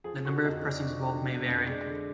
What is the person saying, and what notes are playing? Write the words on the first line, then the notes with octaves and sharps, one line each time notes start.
The number of persons involved may vary.
F3 G#4
D3 F#4
F2 D#4
F2 D4
F3
D3
F2
F2
G#3 D4
D3